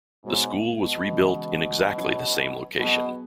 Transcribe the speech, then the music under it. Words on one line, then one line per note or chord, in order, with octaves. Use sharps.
The school was rebuilt in exactly the same location.
G#2 B2 G#3 B3 F#4 C#5
B2
C#3 E3 G#3 C#4 E4
F#3 C#4 E4 C#5
B2 F#3 B3 G#4 B4